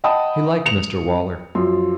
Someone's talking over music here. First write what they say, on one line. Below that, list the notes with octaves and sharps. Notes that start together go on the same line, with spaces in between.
He liked Mr Waller.
D#5 F#5 G5 A5 B5 D#6
C#7 F7
F#2 F3 C6